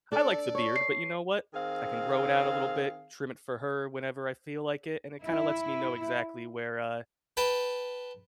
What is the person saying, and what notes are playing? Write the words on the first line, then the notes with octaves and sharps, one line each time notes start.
I like the beard, but you know what? I can grow it out a little bit, trim it for her whenever I feel like it, and it kinda lets me know exactly where, uh,
D4 A4 D5
C#5
C7
D#3 C4 G#4 F5
E4
B4 G5 A5